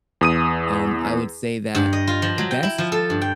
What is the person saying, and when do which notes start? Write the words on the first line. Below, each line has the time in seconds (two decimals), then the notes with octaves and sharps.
um, I would say that the best
0.21 E2 D#6 D#7
1.75 G2
1.93 D#5
2.07 F4
2.22 F3
2.38 F#3
2.51 G5
2.63 E4
2.78 F3
2.92 A4
3.10 G2
3.22 G5